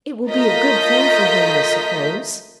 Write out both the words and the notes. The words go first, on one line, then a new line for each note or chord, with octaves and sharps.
"It will be a good thing for him, I suppose."
A3 F4 A#4 D#5 G6 B6